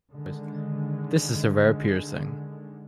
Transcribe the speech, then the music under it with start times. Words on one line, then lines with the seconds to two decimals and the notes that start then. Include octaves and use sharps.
This is a rare piercing.
0.11 D3 D#3 G#3